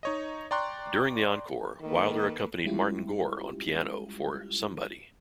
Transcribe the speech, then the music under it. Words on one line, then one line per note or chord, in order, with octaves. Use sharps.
During the encore, Wilder accompanied Martin Gore on piano for "Somebody".
D#4 C#5 D#5
D5 G5 A#5 C6 C#6 F#6
D#3 A#3 A4 B4
G3 G#3 C#4 E4 F4 G4